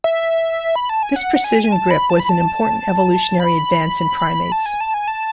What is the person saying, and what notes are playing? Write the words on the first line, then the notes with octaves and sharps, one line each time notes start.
This precision grip was an important evolutionary advance in primates.
E5
B5
A5
G#5
F#5
F#5
G#5
G#5
A5
B5
A5
B5
A5
B5
A5
G#5
A5
G#5
A5